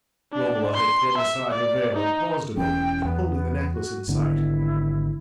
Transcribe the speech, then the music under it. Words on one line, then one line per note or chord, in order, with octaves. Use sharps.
Romola had thrown aside her veil and paused a moment, holding the necklace in sight.
D4
C6
E5
D5
D#4
E1 E2 C#4 G5
E2 B3
F#4
G#1 D3 B3 E4